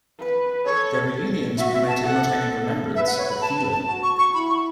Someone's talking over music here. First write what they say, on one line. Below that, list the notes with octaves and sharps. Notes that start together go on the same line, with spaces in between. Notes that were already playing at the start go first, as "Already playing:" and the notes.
The reunions promoted not only remembrance, but healing.
B4
A4 C#5
F#4 E5
E5
A5
A4 F#5
B4 E5
F#5
C#5
B5
A5
A5
A5
F#4 A5
C#6
C#6
E4 B5
C#6